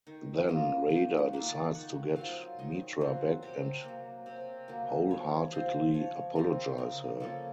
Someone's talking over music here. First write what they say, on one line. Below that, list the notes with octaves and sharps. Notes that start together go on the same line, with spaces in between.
Then Radha decides to get Mitra back and wholeheartedly apologize her.
D#3
A#3 F4 D#5
D#3
F#5
A#3 F4
A5
D#3 F#5
F#3 C4 F4 F5
D#3 D#5
F#3 C4 F4
C3
F#3 A#3
C3
F#3 A#3
F3 C#5
C4 F4 C5
F3 C#5
C4 F4 A#4
C#3 A#4
F3 A#3 C#4 A4